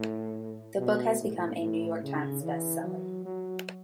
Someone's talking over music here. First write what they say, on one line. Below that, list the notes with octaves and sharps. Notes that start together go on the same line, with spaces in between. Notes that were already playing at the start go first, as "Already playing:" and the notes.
The book has become a "New York Times" bestseller.
Already playing: A2
B2
A2
A2
C#3
E3
F#3
F#3